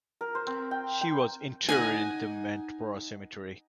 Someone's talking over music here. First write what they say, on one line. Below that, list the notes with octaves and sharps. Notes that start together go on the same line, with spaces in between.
She was interred in the Montparnasse Cemetery.
A#4
C5
C4
G5
G5
D#4 D#5 F#5 G#5